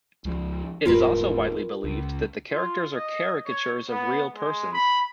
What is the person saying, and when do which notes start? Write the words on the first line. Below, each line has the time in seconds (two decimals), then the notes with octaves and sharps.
It is also widely believed that the characters are caricatures of real persons.
0.25 C#2 F3
0.85 D#1 G#2 F4 A#4 B4
1.84 C#2
2.52 F4
2.95 D#5
3.47 C#5
3.89 B3
4.34 G#3
4.72 B5